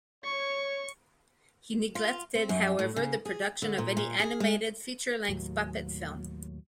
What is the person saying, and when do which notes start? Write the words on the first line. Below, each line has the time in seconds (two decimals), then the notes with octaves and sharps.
He neglected, however, the production of any animated feature-length puppet film.
0.24 C#5 C#6
1.95 F4
2.35 C4
2.49 F#2
2.79 A2
2.96 C#3
3.25 G#4
3.62 D3
3.78 A#2
3.97 A#2
4.20 G#4
4.40 G#3
5.28 D#2 A2 F#3